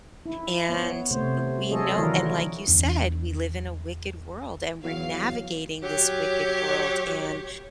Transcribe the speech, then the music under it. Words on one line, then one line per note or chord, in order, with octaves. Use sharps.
and we know and like you said, we live in a wicked world and we're navigating this wicked world and
E4
B3 C#5
C3 A3 C5
F#3 F4 G#4 A4 C#5 D#5
D#3 E3 E4 F#4 A#4 D5
E2 D4
E2 F#3 F5
F#3 G4 C#5